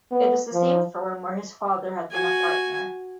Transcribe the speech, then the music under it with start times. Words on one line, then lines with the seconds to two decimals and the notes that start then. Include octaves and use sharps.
It was the same firm where his father had been a partner.
0.12 B3
0.53 F3
2.11 F#4 G#5